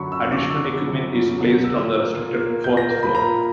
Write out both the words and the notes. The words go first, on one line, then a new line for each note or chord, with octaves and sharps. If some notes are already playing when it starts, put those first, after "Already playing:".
Additional equipment is placed on the restricted fourth floor.
Already playing: F#2 D3 F#3 B5 C#6
F#2 E6
C#6
D6
D3 F#3 C#6
E6
F#2
D3 F#3
F#2
D3 F#3
A#2 E6
A#3
A#2
A#3
A#2 G6
A#6
A#3
B5
A#2 A#5